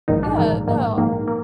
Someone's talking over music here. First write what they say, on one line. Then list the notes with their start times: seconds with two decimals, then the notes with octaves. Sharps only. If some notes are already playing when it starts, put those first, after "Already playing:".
Yeah, no.
0.08 A#1 G#2 D#3 D#4
0.23 D4
0.38 A#1 G#2 D#3 A#3
0.68 A#1 G#2 D#3 A#3
0.98 A#1 G#2 D#3 A#3
1.28 A#3